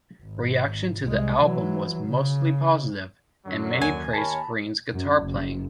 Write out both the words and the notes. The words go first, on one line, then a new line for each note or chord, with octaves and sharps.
Reaction to the album was mostly positive, and many praised Green's guitar playing.
G#1
C2 G#3
E3 F#3
C#3
F#2 D3 F#3
D#2 G#5
D#2 A#4 C#5 A5 B5
F#2
F#1